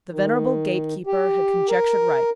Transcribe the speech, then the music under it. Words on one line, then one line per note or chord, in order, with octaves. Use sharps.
The venerable gate-keeper had conjectured right.
D#3
G4
A#4